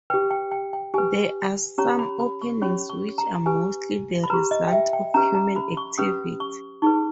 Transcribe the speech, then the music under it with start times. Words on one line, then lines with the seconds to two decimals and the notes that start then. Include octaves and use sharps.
There are some openings which are mostly the result of human activity.
0.10 G4 B4 G5
0.31 G5
0.51 G5
0.73 G5
0.94 G4 B4 G#5
1.78 C#4 G4 C#5 A#5
1.99 B5
2.20 B5
2.42 C#6
2.62 C#4 G4 C#5 B5
2.90 C#6
3.18 A#5
3.46 G4 B4 G#5
4.24 B5
4.30 G4 B4 A#5
4.51 D#5
4.68 G5
4.72 E5
4.93 G5
5.14 C#4 G4 B4 A#5
5.35 A#5
5.56 B5
5.77 C#6
5.98 C#4 G4 B4 D#6
6.40 C#6
6.82 D#4 G#4 B4 C#6